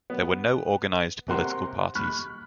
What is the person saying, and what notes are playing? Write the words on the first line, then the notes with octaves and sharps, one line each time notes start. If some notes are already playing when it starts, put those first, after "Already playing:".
There were no organized political parties.
B3
C3 A#4 F#5 C6
B5 C#6 F6 F#6